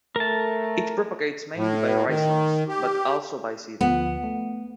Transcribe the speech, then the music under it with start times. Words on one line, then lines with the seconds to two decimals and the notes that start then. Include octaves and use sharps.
It propagates mainly by rhizomes, but also by seed.
0.16 A3 A#4 A5
1.56 A2
2.07 D#3
2.69 G4
3.81 D2 F3 B3
4.24 A3